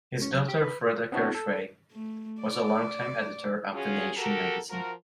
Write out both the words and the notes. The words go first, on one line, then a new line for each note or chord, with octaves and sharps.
His daughter Freda Kirchwey was a longtime editor of "The Nation" magazine.
C#4
F#3
G4
B4
B3 C4 D4 E4 F#4 C#5
A4
A3
D5
C#4 F4 F#4 G#4
F#4 G4 A4 A#4
F3 F#4 A#4